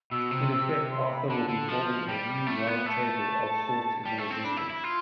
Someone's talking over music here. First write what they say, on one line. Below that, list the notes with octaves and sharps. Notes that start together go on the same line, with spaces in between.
In effect, "Arthur" will be forming a new "roundtable" of sorts in the resistance.
B2 E6
C3
C6
B5
B5
D3 A5
D3
F3
G3
A3
B3
A3 A5
G3
A3
C4
D4 B5
E4
E4
F4 C6